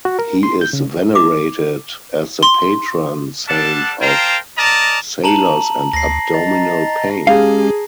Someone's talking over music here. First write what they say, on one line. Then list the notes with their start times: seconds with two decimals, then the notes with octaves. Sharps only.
He is venerated as the patron saint of sailors and abdominal pain.
0.05 F#4
0.19 A#4
0.43 C6
0.61 G6
0.73 C#3
1.15 D6
2.43 C6
3.48 G3 D4 A4 F#5 A5
4.00 A#4 C5 F5 G5 A5 A#5
4.57 A#4 D5 D#5 A5 A#5
5.24 A5 A#5 F#7
5.93 D2 A#6 C7
6.34 D#5 A#5 A6
7.27 G#3 C#4 G4 G#4 F5